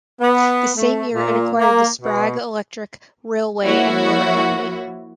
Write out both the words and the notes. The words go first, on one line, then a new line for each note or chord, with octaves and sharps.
The same year, it acquired the Sprague Electric Railway and Motor Company.
B3
A3
A#2
A#3
B2
F3 A#3 E4 F#4 C#5